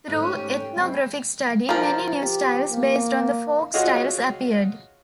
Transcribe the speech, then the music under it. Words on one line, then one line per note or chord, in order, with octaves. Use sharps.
Through ethnographic study, many new styles based on the folk styles appeared.
G#2 A3 E4 F#6
C#4
G4
G5
G#3 C4 E4 C7
F3 A#4
G4
A#3
F4 F#4 G#4 C#5 D#5 F5